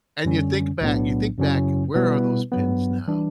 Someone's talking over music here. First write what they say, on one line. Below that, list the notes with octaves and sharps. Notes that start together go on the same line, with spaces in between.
And you think back you think back, where are those pins now?
F#2 D3 G3 C#4
B1 A2 F#3 B3 D4
F#2 C#3 F#3 C#4 E4
B2 G3 B3 E4 B4
G2 F#3 B3
E3 G3 D4